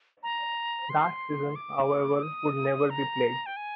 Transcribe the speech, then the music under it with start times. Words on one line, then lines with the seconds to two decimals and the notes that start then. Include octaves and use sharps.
That season however would never be played.
0.23 A#5
0.90 C6
1.56 D6
2.23 D#6
2.90 A#5
3.46 G5
3.57 G#5